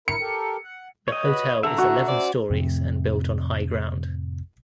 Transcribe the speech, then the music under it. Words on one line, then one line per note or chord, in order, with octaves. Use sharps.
The hotel is eleven stories and built on high ground.
E4 A#4 C#7
G4 A4 A#4
F#5
C#5 D#5
F#4 B4
D3 E5 A#5
F#4
C#4 C5 D5
F2 A2 C3